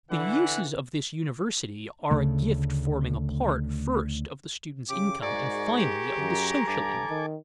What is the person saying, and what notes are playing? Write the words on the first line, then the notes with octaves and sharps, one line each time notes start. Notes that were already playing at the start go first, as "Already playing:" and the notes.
The uses of this university are a gift forming a part, first, of the student's income, and, finally, of the social income.
D3 E3 F#5
D2 C#3 A3
C#3 G4 D6
G#2 F#4 G#4 A#4 D5 C#6
G4
F#2 A#5
G2 A4 G#5 D6
D#3